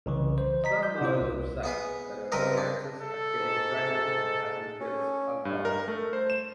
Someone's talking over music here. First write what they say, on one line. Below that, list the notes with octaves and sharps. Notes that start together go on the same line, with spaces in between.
Selma is upset that her chances at getting pregnant and having kids are gone.
C2 C#3 E3
C5
D#5 A#5 B6
G6
C3 E4 F4 C5
C2
B3 G#4 B4
C#2 G2 C4 A#4 B4 D#5
D4
A4
G#2
C#4
G2
A#4
A3
C5
E7